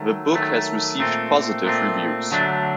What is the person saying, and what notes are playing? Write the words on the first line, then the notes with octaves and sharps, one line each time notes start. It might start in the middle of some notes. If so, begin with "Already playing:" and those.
The book has received positive reviews.
Already playing: D#3 F#3 A3
D#3 F#3 A3
A#2 A3 C4
A#2 A3 C4
D3 F#3 A3 D4